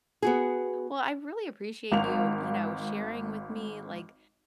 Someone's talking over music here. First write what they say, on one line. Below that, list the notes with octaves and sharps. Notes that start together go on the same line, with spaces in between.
Well, I really appreciate you, you know, sharing with me, like,
B3 F#4 G#4
G#1 F5 F7